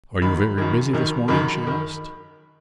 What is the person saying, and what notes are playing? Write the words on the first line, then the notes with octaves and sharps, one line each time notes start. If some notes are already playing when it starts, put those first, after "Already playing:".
"Are you very busy this morning?" she asked.
F#2 D#3 B5
F#2 D#3
F#2 D#3
F#2 D#3 B5
D#3